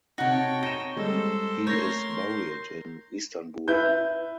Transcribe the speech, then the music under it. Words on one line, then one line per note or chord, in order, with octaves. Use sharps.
He is buried in Istanbul.
C3 D#4 F#4 C#5 G5 A5 A#6
D#4 A#6 E7 G7
G3 G#3 A4 C5
A3 A#4 C#5 C6 G6 A#6
E4 B4 G6